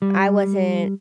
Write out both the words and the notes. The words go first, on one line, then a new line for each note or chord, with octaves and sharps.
I wasn't
G3